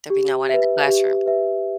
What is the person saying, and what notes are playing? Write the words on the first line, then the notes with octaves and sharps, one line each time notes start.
there'll be no one in the classroom.
G4
B4 E5
G4
B4 E5